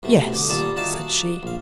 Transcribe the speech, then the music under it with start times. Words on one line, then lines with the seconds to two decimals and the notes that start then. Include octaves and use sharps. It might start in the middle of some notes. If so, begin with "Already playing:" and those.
"Yes," said she.
0.03 C2 B2 A3
0.32 D3 G5 D6 D#6
0.49 A#2 D#3 G3 D5 A5
0.76 D#4 F#4 D5 E5 F5 A5
1.43 A#1 F5